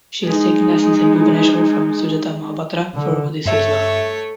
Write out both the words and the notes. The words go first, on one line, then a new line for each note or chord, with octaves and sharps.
She has taken lessons in Bhubaneshwar from Sujata Mahapatra for Odissi as well.
G#3 D#4
D3
G2 A3 C#5 E5